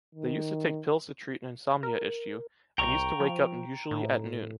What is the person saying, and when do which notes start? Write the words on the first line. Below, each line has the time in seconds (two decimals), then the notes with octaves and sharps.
They used to take pills to treat an insomnia issue, and used to wake up usually at noon.
0.15 D#3
1.83 A#4
2.78 C2 G5 A#5 C#6
3.20 F3
3.91 A2